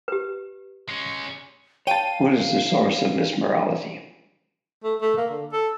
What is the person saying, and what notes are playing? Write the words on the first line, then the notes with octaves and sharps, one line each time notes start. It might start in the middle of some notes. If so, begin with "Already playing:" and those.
What is the source of this morality?
G4 B4
G#3 C#4
C#5 F5 G5 A5 D#7
A3
A3
A#3
D3
A4